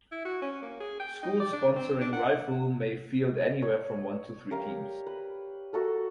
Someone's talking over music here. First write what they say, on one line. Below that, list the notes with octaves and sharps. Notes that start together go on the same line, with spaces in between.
Schools sponsoring rifle may field anywhere from one to three teams.
E4
F#4
C#4
A#3
G#4
G5
D#4
D5
D4
C4
D4
F#5
C#5 D5
G4 A#4 F5
B4
F#4 A4 A#4